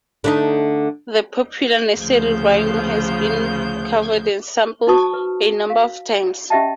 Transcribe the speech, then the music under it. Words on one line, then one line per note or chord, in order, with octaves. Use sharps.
The popular nursery rhyme has been covered and sampled a number of times.
D3 A3 D#4
D2 C#3 F3 G6
D#4 F#4 C5 A5 C#6 D#6
B4
F5
C#4 G4 D#5 E5 G5 A5